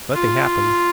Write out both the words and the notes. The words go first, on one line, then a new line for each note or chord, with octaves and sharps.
Nothing happened.
F4